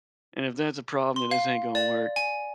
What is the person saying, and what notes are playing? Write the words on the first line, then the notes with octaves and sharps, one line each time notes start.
and if that's a problem, then this ain't gonna work.
C6
F5
D5
G#5